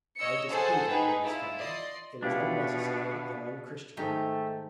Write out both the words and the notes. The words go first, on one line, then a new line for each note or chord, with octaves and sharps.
I disapprove of boys' fighting; it is unnecessary and unchristian.
C#5 D#5 E6 C#7
G#4 A4 C5 F#5 G#5 A5
D#4 G#4 B4 G5
E4 F4
D5 D#5 C6
B2 B3 D4 E4 F4 G4
G#2 D#3 G#3 A3 G4